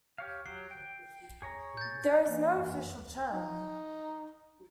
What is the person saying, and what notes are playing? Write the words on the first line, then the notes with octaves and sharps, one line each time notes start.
There is no "official" term.
G4 C#5 F5
F#3 G4 F#5 C7
G5
G#4 C#5 A#5
G6 A6
E3 A#3
D#4